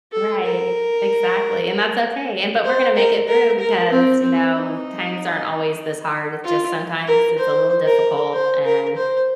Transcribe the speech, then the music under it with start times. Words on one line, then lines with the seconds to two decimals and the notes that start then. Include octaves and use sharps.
Right. Exactly, and that's okay, and but we're gonna make it through because, you know, times aren't always this hard, it's just sometimes it's a little difficult, and,
0.12 A4
0.44 A#4
2.64 C5
2.96 A#4
3.28 A#4
3.60 A#4
3.91 C4
4.23 C4
4.54 D#4
6.44 F4
7.07 A#4
7.39 C5
7.86 A#4
8.33 C5
8.65 A#4
8.97 C5